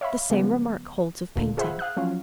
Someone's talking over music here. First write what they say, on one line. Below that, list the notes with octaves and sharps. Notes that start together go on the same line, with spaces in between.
The same remark holds of painting.
C#5 E5 F5 B5
C#3 F3 G3 G#3 B3
D#2 A#2 D3
F4 G#4 C5 E5 F#5 B5
F5 D#6 F#6
F3 F#3 C#4 F4